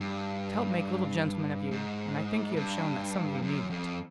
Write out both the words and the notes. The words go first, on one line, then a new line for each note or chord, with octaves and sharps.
"To help make little gentlemen of you, and I think you have shown that some of you need it."
G2
G#2
G2
F#2
F2